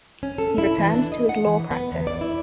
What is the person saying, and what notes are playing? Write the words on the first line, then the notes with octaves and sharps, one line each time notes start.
He returned to his law practice.
C#4
A4
E4
E3
D4
D#5
F#5
E3
B3
E2
D5
E4